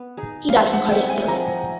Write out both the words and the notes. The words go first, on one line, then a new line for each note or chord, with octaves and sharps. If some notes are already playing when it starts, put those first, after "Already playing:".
He died from a cardiac failure.
Already playing: B3
D#4 G#4
F5
F3 E5
F#5
G#3 C4 E4 G5
G#5
F3 A#5